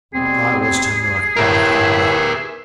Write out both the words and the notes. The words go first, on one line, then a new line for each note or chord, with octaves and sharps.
I was to-night, by hunger.
D#2 B2 G3 C4 G#4
A2 G4 A#4 B4 E5 G#5